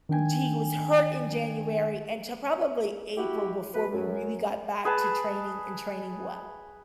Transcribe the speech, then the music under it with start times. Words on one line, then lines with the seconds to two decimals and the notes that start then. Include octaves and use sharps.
g he was hurt in January until probably April before we really got back to training and training well.
0.09 D#3 D4 G5 G#5
3.17 E4 F#4 G4
3.74 B2 B4
3.93 F#2
4.85 G#4 B4 A5